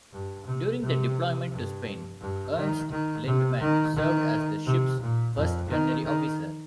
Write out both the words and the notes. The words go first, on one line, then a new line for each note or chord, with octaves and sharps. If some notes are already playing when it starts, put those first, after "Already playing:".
During the deployment to Spain, Ernst Lindemann served as the ship's first gunnery officer.
G2
C3
C3
G2
G2
D#3
D#3
C3
D#3
D#3
C3
A#2
F2
D#3
D#3